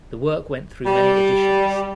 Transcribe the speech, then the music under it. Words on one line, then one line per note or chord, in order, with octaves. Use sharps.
The work went through many editions.
G3